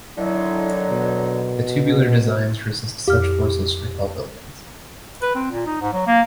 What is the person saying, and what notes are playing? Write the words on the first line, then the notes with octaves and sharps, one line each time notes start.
The tubular designs resist such forces for tall buildings.
D3 D#3 F#3 E4
B2
F2 G4 F6
B4
C4
A#2
D#4
G#2
F#3
A#3